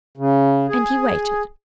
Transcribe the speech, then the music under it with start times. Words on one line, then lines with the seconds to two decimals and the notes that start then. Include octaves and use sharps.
And he waited.
0.17 C#3
0.68 G#4